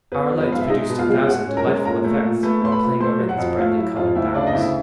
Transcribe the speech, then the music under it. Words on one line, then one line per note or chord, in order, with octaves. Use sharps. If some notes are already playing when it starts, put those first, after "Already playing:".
Our lights produced a thousand delightful effects while playing over these brightly colored boughs.
B3 B4
F3
B3 B4
G#2 F5
E5
G#3 D#4 D#5
B2
F4 F5
G#3
G#3 F#4 F#5
C#4
A#4 A#5
G#3
A#2 A#4 A#5
A3
A#2
A3 B4 B5
A3 C6
B4 B5
A#2
A3 C5 C6
F#3
F#4 F#5
F2
A3 F4 F5
F#3 E4 E5
F2 F4 F5
D2 E4 E5
C#3 D4 D5
D#5
D2 E4 E5